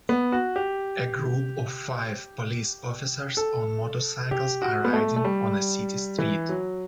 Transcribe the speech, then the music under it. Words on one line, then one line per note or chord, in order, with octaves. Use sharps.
A group of five police officers on motorcycles are riding on a city street.
B3
F#4
G4
A4
G4
F#4
B3
A3
A3
G3
E3
F#3